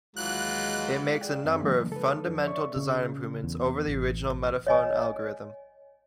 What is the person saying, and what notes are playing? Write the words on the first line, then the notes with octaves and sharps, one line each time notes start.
It makes a number of fundamental design improvements over the original Metaphone algorithm.
D#2 E3 F#3 G#3 F4 F#6
G#4 D5 G5
F#2 C4 E5
C#3 E3 F#3 G#3 A#3 D4
A4 B4
F2 F3 D4
C#5 D5 E5 C#6
C#3
E2
A1
C#5 D#5 G#5